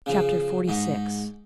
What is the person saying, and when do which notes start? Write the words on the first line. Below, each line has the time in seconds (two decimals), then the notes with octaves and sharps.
Chapter XLVI.
0.06 C#3 F3
0.68 G#2 D#4